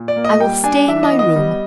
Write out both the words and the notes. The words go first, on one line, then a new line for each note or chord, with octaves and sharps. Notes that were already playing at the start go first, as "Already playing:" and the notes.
I will stay in my room.
Already playing: A#2
D5
A#3
D#5
G3 G5
D4 G#5
E3 E5
D#5
B3
D#5
G3